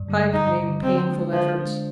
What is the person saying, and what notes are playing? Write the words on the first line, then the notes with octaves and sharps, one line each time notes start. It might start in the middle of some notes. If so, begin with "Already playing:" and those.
Pike made painful efforts.
Already playing: G2
D3 G3
G2 D#4
D3 G3
D3 C4
G#3 D4
D3 F3
G#3 D4